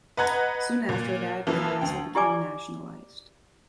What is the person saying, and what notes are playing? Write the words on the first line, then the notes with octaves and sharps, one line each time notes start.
Soon after that, the castle became nationalized.
B4 D#5 F#5 A#5 F#6 G#6
A#2
E3 F3 A#3
D2 G5
E4 G4 D5 G#5 D6